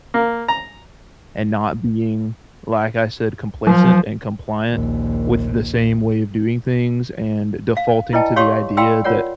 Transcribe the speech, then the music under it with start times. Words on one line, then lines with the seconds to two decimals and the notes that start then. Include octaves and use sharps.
and not being, like I said, complacent and compliant with the same way of doing things and defaulting to the idea that,
0.14 A#3
0.48 A#5
3.67 F3 F#3
4.71 A#1 D#2
7.77 F5
8.13 E4 B4 D5 D#5 G5 A5
8.36 G4 C#5 F5 C6 C#6 D#6
8.77 D5 F5 G5 B5 C6 E6
9.04 F4 A#4 C#5 D5 F#5